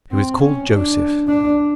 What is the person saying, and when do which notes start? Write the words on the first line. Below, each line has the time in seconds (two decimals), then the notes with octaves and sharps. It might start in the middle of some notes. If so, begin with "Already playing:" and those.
He was called Joseph.
0.11 C4
0.40 C#4
0.70 D4
1.28 D4